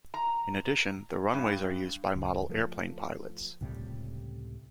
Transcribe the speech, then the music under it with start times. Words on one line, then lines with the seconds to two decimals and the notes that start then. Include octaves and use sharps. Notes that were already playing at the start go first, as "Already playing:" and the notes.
In addition, the runways are used by model airplane pilots.
0.14 A#5
1.34 G2
2.16 C#2
2.49 F3 A3
3.61 C#2 A2 C3 G3